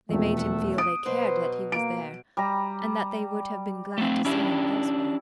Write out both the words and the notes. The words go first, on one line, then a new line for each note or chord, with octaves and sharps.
They made him feel they cared that he was there, and that they would have been glad to see him elsewhere.
E1 F2 A3
E5 F#5
D#6 D7
B2 F#3 B4 C5
A#3 D7
G3 A#5
A3 C4
C#4 D4 E4 G4